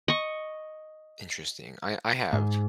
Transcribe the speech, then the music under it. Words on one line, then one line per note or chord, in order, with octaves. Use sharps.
Interesting, I I have
D#5 C#6
G#2